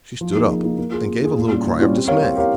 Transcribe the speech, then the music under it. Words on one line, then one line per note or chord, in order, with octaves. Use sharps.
She stood up and gave a little cry of dismay.
F3
A#3 D#4 G#4
F3
A#3 D#4 G#4
A#3
F4 G#4
A#3
F4 G#4
A#2
G3 C#4 F4
A#2
G3 C#4 F4
C4
G4 A#4 C#5 F5
C4
G4 A#4 C#5 F5